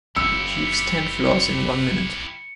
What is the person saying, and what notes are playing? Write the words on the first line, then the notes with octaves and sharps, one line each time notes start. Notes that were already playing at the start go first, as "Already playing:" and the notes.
He achieves ten floors in one minute.
F#1 C#3 E4 G4 E6 C#7